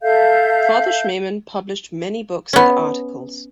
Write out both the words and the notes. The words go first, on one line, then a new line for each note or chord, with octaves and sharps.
Father Schmemann published many books and articles.
A4 E5 F5 G6
B3 C#4